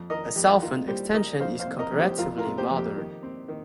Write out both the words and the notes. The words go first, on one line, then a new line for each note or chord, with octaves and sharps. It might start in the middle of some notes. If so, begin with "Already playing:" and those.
A southern extension is comparatively modern.
Already playing: F2
D#3 A#4 D#5
F2 G4
D#3 F4 A#4
G3 G4 C5
D#3 A#4 D#5
F2 C5 F5
C5 F5
C3
A#4 D#5
F2
G4 C5
F2 F4 A#4
F4 A#4
C3
G4 C5
F2
G4
D#3
C4
D#3